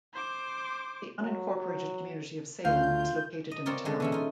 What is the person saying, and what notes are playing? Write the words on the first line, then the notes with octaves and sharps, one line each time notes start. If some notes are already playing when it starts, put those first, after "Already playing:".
The unincorporated community of Salem is located in the town.
C5 D6
F#3
D2 F4 F5 G6
D#5
C4 F4 A#4 C#5 D5 A#5
D3 G#3 A4
E3 C#4 E4
D#4 F4